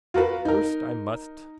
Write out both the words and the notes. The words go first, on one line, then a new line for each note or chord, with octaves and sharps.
First I must.
F4 F#4 A#4 B4
D#4 A#4